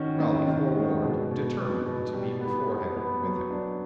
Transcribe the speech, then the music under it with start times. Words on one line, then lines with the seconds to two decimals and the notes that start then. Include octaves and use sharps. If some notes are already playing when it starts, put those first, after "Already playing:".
Raleigh, forewarned, determined to be beforehand with him.
Already playing: D#3 C#4 F#4
0.20 D#3
0.48 D#3
0.76 G#3
1.04 B2
1.31 B2
1.59 B2
1.86 B2
2.13 G3
2.40 B3
2.68 B3
2.96 B3
3.23 F#3
3.50 D4